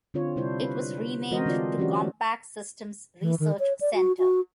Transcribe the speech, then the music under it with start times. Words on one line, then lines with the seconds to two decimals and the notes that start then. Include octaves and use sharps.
It was renamed to "Compaq Systems Research Center".
0.14 D3 C4 F4 C#5
0.36 C3 G3 D4 E4 C5
0.62 B4
1.31 E3 G#3 F#4 A#4 C5 D#5
1.46 D3 C4 D4 F4 D5
1.78 E3 F#3 C#4 F#4 G4 D5
3.22 E3
3.40 D#3
3.59 C#5
3.81 D5
3.94 F#4
4.18 F#4